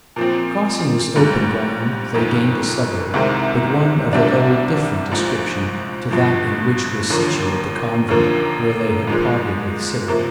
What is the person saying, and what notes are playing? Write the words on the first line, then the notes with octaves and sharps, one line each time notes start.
Crossing this open ground they gained a suburb, but one of a very different description to that in which was situate the convent where they had parted with Sybil.
A#2 F3 C4
A#1 G#2 G3
G1 F2 D#3
C2 C3 D#3 G#3 C4
C2 C3 G3 D4
A#1 G#2 F3
G1 G2 F3
D#2 D3 F3 A#3
D#2 D3 F3 A#3
G#2 F3 G#3
C3 F3 A#3